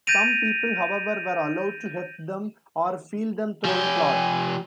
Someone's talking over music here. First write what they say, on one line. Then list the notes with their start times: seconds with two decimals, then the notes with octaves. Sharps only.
Some people, however, were allowed to heft them or feel them through a cloth.
0.07 G6 A6 A#6 D7 D#7 F7
3.65 F3 G4 G#5